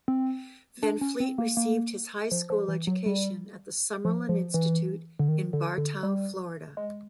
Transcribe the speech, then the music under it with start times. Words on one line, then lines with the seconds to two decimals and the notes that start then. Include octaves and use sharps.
Van Fleet received his high school education at the Summerlin Institute in Bartow, Florida.
0.08 C4
0.83 D4
1.01 C#4
1.20 C4
1.38 A#3
1.57 A#3
2.31 F3
2.50 F3
2.68 E3
2.87 F#3
3.06 G3
4.05 F3
4.29 F3
4.54 E3
5.19 D3
5.28 D#3
5.53 D3
5.78 D3
6.03 G3
6.77 G#3